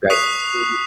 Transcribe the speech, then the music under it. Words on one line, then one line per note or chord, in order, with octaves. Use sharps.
right, tea
C#6 D#6 F#6 B6 C7 F7